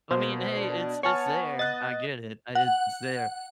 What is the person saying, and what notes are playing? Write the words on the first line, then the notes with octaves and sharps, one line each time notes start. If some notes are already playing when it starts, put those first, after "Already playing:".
I mean, hey, it's it's there. I get it. I It's there.
B2 A#3 C5
D4
B3 C#5 G#5 A5 C#6 F6
D#5 F#6 A6
F#5